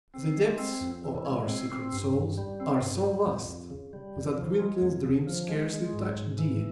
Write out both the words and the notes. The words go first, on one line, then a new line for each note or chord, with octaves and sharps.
The depths of our secret souls are so vast that Gwynplaine's dreams scarcely touched Dea.
C4
G#3
C4
F2
E3
G#3
C4
C4
G2
G2
G3
C4
G2
G3
F2
F2
C#3
G3
F2
F3
G#3
F2
C#3
F3
G#3
G#3
G#2
G#2
E3